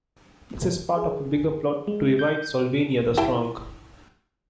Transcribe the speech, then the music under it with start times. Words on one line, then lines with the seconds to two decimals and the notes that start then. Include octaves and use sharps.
This is part of a bigger plot to revive Solvania the strong.
0.97 G#4
1.87 G#3
2.19 G6
3.17 E4 G5 A5